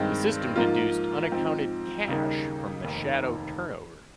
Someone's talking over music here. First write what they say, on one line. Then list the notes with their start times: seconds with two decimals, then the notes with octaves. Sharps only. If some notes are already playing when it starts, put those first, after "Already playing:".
The system deduced unaccounted cash from the shadow turnover.
Already playing: G2 D#3 G#3 C4
0.56 G#2 F3 A#3 F4
1.32 G#2 F3 C4
2.07 D#2 C#3 G3 A#3 D#4
2.84 F1 D#2 D#3